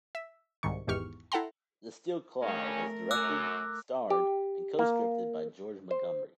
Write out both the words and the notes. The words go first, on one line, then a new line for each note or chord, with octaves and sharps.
"The Steel Claw" was directed, starred and co-scripted by George Montgomery.
E5
C2 G#2 D#3 C#6
G#1 E2 G#2 G4 C#6 F6
E4 A4 F#5 G5 A#5 C6
G2 C#3 A3 C#4 A#4
F#2 D6 E6 F#6
G4
A#3
C5